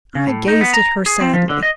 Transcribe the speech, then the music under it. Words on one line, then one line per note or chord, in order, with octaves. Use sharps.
I gazed at her sadly.
C#3
A2
D#4
B3
A#5
G#4
C4
F3
D3
D#5